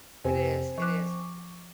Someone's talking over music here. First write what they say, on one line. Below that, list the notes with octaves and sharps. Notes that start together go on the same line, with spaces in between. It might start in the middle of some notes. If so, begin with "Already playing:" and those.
It is, it is
F2 C3 C4 G4 G#5
F3 C#6 D6 F#6